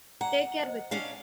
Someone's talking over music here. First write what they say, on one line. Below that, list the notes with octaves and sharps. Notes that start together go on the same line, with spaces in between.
Take care with it.
G#4 D5 F#5 A#5
C5 D#5
C#4 D4 F5